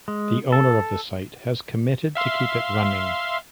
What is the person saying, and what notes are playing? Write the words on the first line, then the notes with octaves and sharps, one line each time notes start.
The owner of the site has committed to keep it running.
G#3
A4
E5 F5 C6